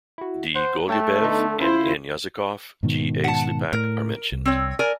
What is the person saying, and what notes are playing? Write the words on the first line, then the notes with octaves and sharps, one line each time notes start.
D. Golubev, N. N. Yazykov, G. A. Slipak are mentioned.
E4 F#4
C5 F#5
A3 C#5 G5 A5
D3 B3 D#4
C#3 E4 F4 C5
G#2 B2 D#3
F#5 A5
A2 A#4
C2
C4 C#5
A#4 D5 G#5